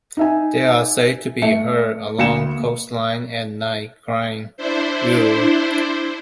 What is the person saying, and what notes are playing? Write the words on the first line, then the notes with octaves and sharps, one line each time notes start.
They are said to be heard along coastlines at night crying, Iou!
D#4 E5 G#5
A3 C#7
D2 A#3 C#7 E7
D4 E4 C5